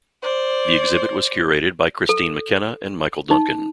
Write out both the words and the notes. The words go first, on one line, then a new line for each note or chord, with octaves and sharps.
The exhibit was curated by Kristine McKenna and Michael Duncan.
C5 D5
A4
D#4